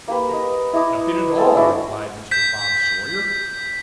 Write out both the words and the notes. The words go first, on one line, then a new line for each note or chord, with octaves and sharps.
'Nothing at all,' replied Mr. Bob Sawyer.
A#3 G4 B4
A#4 B4 D#5
E4 D#5 D6 D#6
G#3 A4
D4 E4 F#4 D#5
G6 B6